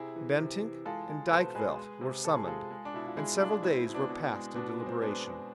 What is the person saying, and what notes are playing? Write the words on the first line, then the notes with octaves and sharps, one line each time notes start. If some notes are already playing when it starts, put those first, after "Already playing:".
Bentinck and Dykvelt were summoned, and several days were passed in deliberation.
Already playing: C3 E4 G#4
E3
C3
E3
G#3 F4 A4
G#3
B4
B2 A4 C5
G#3 G#4 B4
G#3
C3
C3 A4
G#4
G#3 F4 A4
G#3
D4
B2 E4
F4
G#3 E4 G#4
G#3 D4 F4
B2 C4 E4
C4 E4
B2
B3 D4
B2
G#3
B2 B3 D4
G#3
C4
G#3 B3 D4
G#3